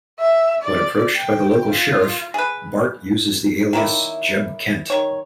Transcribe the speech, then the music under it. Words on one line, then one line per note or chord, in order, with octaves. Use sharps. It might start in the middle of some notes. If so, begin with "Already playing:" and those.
When approached by the local sheriff, Bart uses the alias "Jeb Kent".
E5
D5
G5
F4
G#4 B4
D#3 F#3 A#3 E4
D#3 C#5